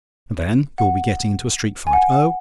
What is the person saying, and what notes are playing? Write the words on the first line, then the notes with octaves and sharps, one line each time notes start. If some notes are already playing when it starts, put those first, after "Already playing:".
And then you'll be getting into a street fight--oh!
F#5
G#5
F#5
F#5